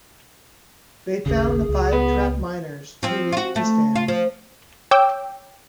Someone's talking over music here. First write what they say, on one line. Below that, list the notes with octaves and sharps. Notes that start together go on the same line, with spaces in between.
They found the five trapped miners too weak to stand.
A1 D#2 C#3 G#4
C#2
B3 B4
F3 C4
F4 F#4
A3
F4
F3
C#5 G5 D6 E6